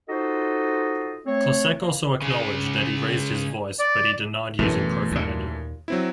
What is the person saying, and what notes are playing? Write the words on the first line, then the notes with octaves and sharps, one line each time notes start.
Klocek also acknowledged that he raised his voice, but he denied using profanity.
D#4 F4 F#4 A4 C5 D#5
A3 C4 C#5
A#3
C#3 G#3
D5
A1 F#2 B2 E3 A3
D#2 A#2
F#3 C4 E4